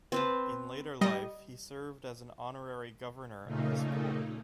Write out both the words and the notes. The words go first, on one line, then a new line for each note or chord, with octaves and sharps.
In later life, he served as an Honorary Governor of the school.
C4 B4 A5
G3 D#5
A#2 C#3 A3 A#3 D#4